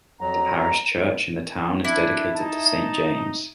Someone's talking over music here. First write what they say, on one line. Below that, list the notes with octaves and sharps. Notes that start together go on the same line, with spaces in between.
The parish church in the town is dedicated to Saint James.
F2 F#3 A#5
D4 E4
D#4 A5